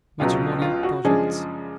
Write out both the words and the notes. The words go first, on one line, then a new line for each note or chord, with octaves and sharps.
Matrimonial Projects.
C#2 B2 F#3 F4
F4
F#4
F#2 C#3 F3 G#3 D4 G#4